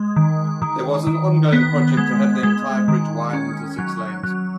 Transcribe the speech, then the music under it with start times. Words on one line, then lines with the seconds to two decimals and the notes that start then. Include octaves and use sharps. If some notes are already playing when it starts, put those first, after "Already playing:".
There was an ongoing project to have the entire bridge widened to six lanes.
Already playing: G#3
0.16 D#3
0.62 D#3
1.07 D#3
1.53 B3
1.97 G#3
2.43 G#3
2.88 D#3
3.33 C#4
3.79 F#3
4.23 F#3